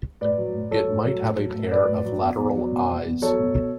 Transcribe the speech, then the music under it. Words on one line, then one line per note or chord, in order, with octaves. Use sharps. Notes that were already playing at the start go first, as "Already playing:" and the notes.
It might have a pair of lateral eyes.
A2 B4 D5
F#3
A2
F#3 A4 C#5
A2
F#3
A2
F#3
A2
F#3 B4 D5
A2
F#3
E2
E2
F#3
B2
E2
E2
F#3 A4 C#5
B2